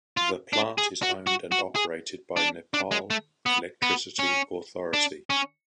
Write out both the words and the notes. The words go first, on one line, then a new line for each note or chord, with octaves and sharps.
The plant is owned and operated by Nepal Electricity Authority.
F4
D4
G#4
F#4
F#4
F#4
G#4
D4
D4
G#3
A3
B3
B3
C#4
D4
C#4